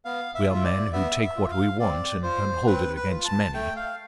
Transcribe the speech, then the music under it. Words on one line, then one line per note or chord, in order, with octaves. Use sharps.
'We are men who take what we want and can hold it against many.
B3 F5
E5
F4
E5
D5
B3 E5
E5
F4
F5
C4 D5
F4 C5
C4 B4
B4
F4
A5
A3 G5
F5